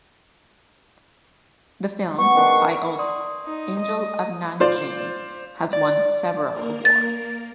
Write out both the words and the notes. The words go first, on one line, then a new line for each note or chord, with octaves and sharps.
The film, titled "Angel of Nanjing", has won several awards.
B3 C#6
D#3 D4 C6
D5 C6 D#6
D#4
D#5
F4 C5 D5
D5
A#3 A#4
A6